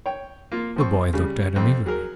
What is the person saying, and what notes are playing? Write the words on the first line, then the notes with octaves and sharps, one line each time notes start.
The boy looked at him eagerly.
C#5 G5
A#3 F4
F3 C4 C#6
C#3 G3
F2 C4
F#3 G#4 A#4